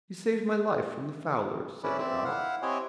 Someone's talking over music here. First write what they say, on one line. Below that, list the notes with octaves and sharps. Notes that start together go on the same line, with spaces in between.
"You saved my life from the fowlers," said the owl.
C#4 E4 B4 D5
C4 D5 E5
E4 F5 F#5
C4 E4 G4 C#5 D#5 G#5